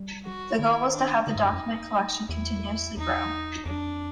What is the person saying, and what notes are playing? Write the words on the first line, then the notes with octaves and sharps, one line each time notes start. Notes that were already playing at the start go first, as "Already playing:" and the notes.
The goal was to have the document collection continuously grow.
Already playing: G3
F#4
D#3 E4
D4
D3 D#4
G#2
G2
F#2
E2 E4
E2 D#4
F2 D4